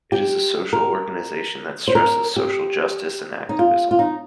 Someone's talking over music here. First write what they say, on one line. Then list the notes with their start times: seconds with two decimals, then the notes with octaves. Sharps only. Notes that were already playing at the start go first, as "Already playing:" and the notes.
It is a social organization that stresses social justice and activism.
0.12 G4
0.73 A#4
1.88 C5
1.95 A#4
2.36 G4
3.49 D#4
3.59 F4
3.91 F4
3.99 D#4